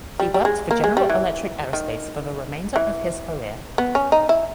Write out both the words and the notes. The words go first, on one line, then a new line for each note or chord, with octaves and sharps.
He worked for General Electric Aerospace for the remainder of his career.
G3
G3
G#3
A#3
G#3
G3
E3
D#3
E3
B3
C#4
D#4
E4